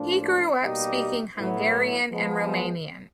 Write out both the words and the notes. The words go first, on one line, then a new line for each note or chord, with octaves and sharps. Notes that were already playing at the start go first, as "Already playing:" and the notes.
He grew up speaking Hungarian and Romanian.
Already playing: A2 F3 A#3 D4
B2 G3 A#3 D#4 G4
A2 F#3 B3 E4
F3 G#3 B3